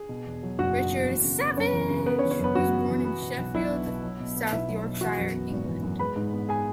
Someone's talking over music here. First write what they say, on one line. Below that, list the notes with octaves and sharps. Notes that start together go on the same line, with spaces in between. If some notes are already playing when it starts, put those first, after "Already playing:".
Richard Savage was born in Sheffield, South Yorkshire, England.
Already playing: G#4
B2
E2
F#3
F#1 F#4 F#5
B2
E2
E3
C#3
B3
F#2 C#4 C#5
E3
C#3
B3 B4
C#4 C#5
E3
C#4 C#5
F#2 B3 B4
F#2 F#4
B3
E3
B3
B2
B1
B1 E4
B3
B2
F#3
B2
B3
B1 E4 E5
F#3
B2
E3 F#4 F#5
F#2
B3
G#1
E3
F#2
G#3 B4 B5
G#2
B3
G#4 G#5